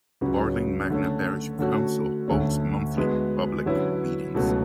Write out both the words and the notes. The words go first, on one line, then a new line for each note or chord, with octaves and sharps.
Barling Magna Parish Council holds monthly public meetings.
C#2 C#3 F#3 C#4
D3 A3 C#4
D3 A3 C#4 F#4
D2 D3 A3 C#4
D3 G#3 B3 F#4 B4
D3 F#3 C#4 E4 B4
C#2 B2 F#3 A3